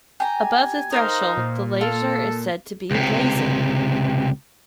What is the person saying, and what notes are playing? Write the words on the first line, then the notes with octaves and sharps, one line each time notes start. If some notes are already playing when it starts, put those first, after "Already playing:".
Above the threshold, the laser is said to be "lasing".
G4 G#5 A#5
D#4 A#4 C5 F5
A#2
F4 A4
C#2 C3